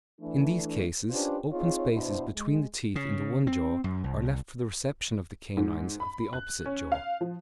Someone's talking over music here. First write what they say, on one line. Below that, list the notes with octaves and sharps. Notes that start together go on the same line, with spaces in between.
In these cases, open spaces between the teeth in the one jaw are left for the reception of the canines of the opposite jaw.
E3 A3 D4
C#4 D4 F4 G4 B4 C5
C4 D#4 F4 G#4 C#5
B2 D4 E4 F#4 C5
G#3
C#3
C4
F#2
C2
G#2
B5
F#6
C#4
F5
F3